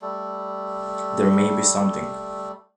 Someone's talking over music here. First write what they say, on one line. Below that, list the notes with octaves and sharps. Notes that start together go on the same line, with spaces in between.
There may be something.
G3 A3